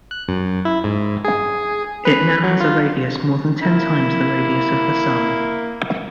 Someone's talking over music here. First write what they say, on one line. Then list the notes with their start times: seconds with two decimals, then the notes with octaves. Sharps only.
It now has a radius more than ten times the radius of the Sun.
0.11 F#6
0.28 F#2
0.65 E4
0.84 G#2
1.25 G#4
2.05 B4
2.44 F#3
2.60 F4
3.63 A#3 E4